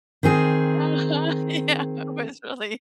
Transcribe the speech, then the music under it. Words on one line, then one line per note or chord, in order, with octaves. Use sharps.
Uh-huh, yeah, it was really
D#3 C4 G#4